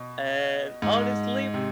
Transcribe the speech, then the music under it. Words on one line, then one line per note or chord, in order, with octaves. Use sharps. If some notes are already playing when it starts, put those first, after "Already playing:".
And honestly,
Already playing: B2
G#2
C3